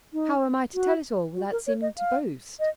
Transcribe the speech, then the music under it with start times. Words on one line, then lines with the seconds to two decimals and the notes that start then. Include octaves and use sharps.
How am I to tell it all without seeming to boast.
0.13 D#4
0.74 F#4
1.36 F#4
1.52 A#4
1.67 C#5
1.82 D#5
1.98 F5
2.60 D#5